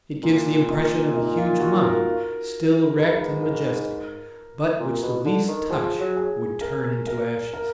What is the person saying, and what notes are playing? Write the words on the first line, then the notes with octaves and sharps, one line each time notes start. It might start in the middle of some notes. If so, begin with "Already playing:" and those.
It gives the impression of a huge mummy, still erect and majestic, but which the least touch would turn into ashes.
A#2 D4
D#4
D#4
F4
F#4
A#4
G#2 B4
A#4
B4
A#4
A#2
B2
D3
D#3
F3 G#4
F#3
G#4
A#4
A#4
A#4